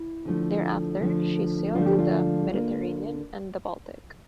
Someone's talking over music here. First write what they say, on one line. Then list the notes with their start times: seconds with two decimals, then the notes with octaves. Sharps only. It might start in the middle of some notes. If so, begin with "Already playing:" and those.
Thereafter she sailed to the Mediterranean and the Baltic.
Already playing: E4
0.25 D3 F3 A3
1.00 D3 F3 A3
1.75 D3 F3 A3 F4
1.86 G4
1.99 F4
2.50 D3 G3 A#3